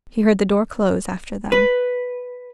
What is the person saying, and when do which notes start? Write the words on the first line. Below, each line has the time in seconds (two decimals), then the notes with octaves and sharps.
He heard the door close after them.
1.52 B4